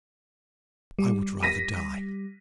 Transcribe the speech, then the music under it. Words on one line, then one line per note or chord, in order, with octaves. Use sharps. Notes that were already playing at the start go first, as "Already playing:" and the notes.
I would rather die.'
G3
A#6 B6 D#7